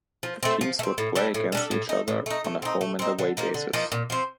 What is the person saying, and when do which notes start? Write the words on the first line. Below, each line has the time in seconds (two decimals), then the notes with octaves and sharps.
The teams would play against each other on a home-and-away basis.
0.23 F3
0.43 A3 C4
0.61 F3
0.79 A3
0.83 C4
0.98 A2
1.15 G3 D4 A4
1.34 A2
1.52 G3 D4 A4
1.71 A2
1.89 A3 D#4
2.08 A2
2.26 A3 D#4
2.44 A3
2.62 C4 D#4
2.81 A3
2.99 C4 D#4
3.19 D3
3.37 F3 A#3 D#4
3.54 D3
3.73 F3 A#3 D#4
3.92 A#2
4.10 F3 C4